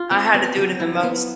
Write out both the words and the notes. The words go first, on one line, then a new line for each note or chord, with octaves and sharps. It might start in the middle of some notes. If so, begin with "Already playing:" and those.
I had to do it in the most
Already playing: F4
C4
B3
F#3
E4
B3